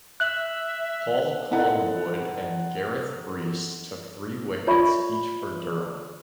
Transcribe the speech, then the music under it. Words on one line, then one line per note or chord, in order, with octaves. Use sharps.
Paul Collingwood and Gareth Breese took three wickets each for Durham.
E5 F#6 F#7
C4 D#4 E4 A4 F#5
F4 C#5 D5 E5 B5 C#6